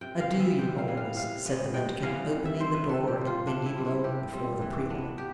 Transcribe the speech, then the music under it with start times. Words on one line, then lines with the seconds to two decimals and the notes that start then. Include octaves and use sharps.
"Adieu, your holiness," said the mendicant, opening the door and bending low before the prelate.
0.01 C3 G5
0.20 F5
0.31 E3 G3 B3
0.40 E5
0.59 C3 G5
0.78 F5
0.88 E3 G3 B3
0.97 F5
1.17 C3 F5
1.45 E3 G3 B3
1.74 C3 G5
2.02 E3 G3 B3 F5
2.31 C3
2.45 E5
2.60 G3 C4 C5
2.74 B4
2.89 C3 A4
3.08 G4
3.18 G3 C4
3.27 F4
3.46 C3 D4
3.66 E4
3.75 G3 C4
3.85 E4
4.04 C3 G4
4.33 G3 C4
4.62 E3
4.90 B3 D4
5.18 G4